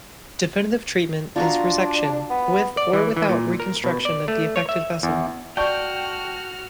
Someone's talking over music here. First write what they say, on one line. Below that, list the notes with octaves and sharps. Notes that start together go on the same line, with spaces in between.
Definitive treatment is resection with or without reconstruction of the affected vessel.
D4 F4 F#4 A#5
B3
D5
E3
E3
A#2
A#4
B2
D5
A3
C#5
E5
E2
F#4 D5 G5 A5 C#6 F6 G6